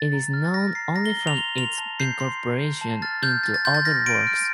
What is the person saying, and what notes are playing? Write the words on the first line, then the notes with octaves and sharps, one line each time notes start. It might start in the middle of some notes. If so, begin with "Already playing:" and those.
It is known only from its incorporation into other works.
Already playing: A6
A#5
F6
A6
F6 A#6
A#5 C7
A#5 A#6
G7
A#5 G7
F7
C6 G7
C6 F7
A5
G6 C7
C6 C7
C6
G6
A5
F6 A6
F6 G6
F6 A6
A6
C6 G6
A6
F6 A#6
C6 D7
F6